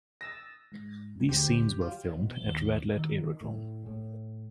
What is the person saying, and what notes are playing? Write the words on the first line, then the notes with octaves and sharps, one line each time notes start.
These scenes were filmed at Radlett Aerodrome.
D#6 E6 A6 A#6
G#2
D2 G4 C5
F#3 F4
B2
D#2
D#3
A2
A2